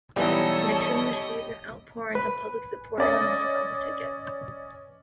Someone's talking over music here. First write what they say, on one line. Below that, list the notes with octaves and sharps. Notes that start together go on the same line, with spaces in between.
Nixon received an outpouring of public support and remained on the ticket.
B1 E3 G3 G4 A4 C#5 D#5
B4
C#4 D5 D#5